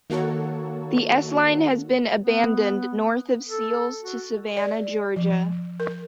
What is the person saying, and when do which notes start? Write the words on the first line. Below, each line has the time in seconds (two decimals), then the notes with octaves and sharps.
The S-Line has been abandoned north of Seals to Savannah, Georgia.
0.10 D#3 A#3 F#4 A4 C#5
2.20 B3
3.49 A4
4.02 F#4
4.57 D5
5.16 F3
5.80 A#4